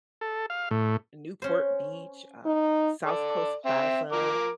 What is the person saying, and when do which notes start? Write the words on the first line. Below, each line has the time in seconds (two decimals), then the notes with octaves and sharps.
Newport Beach, uh, South Coast Plaza,
0.21 A4
0.50 F5
0.71 A2
1.42 C#4 C5
2.45 D#4
3.05 A4 D5
3.65 C4 E5
4.12 F3 A#4 D6